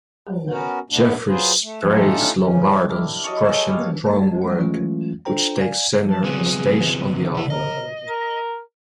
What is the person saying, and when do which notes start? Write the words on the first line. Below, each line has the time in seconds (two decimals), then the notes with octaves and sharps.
Jeffries praised Lombardo's "crushing drum work" which takes center stage on the album.
0.50 B3 C#4 F#4 A#4
0.90 E2 G#2 B2 A3 B3 D4
1.27 F#3 F4 G#4 B4 C5
1.63 A3
1.86 A3 C#4 D#4 F4 G4 A4
2.41 C#3 E3 C#4
2.89 D4 E4 G4 A#4
3.24 F#3 D#5 A5 C#6
3.50 G#3 A4 B4
3.68 G3 C#5 F5
4.06 A5
4.42 G3 F#5
4.59 E3 F#3 G#3 A3 C#4 F4
5.25 D4 F4 A4 C5 G5 A#5
5.58 D5 F5 G#5
6.10 A5
6.24 C#3 B3 C4 G#4
7.34 C3 E4
7.50 A#4 D#5
8.08 A#4